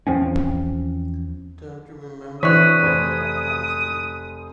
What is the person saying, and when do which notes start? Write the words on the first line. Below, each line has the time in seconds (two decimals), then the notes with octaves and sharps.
Don't you remember the home I promised you?
0.07 E2 F3 C4 C#4
2.43 E3 C4 D4 E4 C#5 D#6 F#6 B6
2.82 F1 C5 G#6